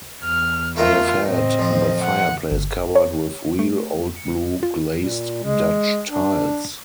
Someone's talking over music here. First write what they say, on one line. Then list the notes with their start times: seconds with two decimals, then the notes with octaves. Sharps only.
I have had the fireplace covered with real old blue glazed Dutch tiles.
0.24 E2 F6
0.76 A3 F4 A#4 E5
1.27 A2 C4 D#5
1.59 F2 F3
2.03 F#5
2.52 G1
2.95 C#5
3.59 A3
4.16 C#7
4.63 F4
4.96 A#2
5.43 G#3
6.10 D4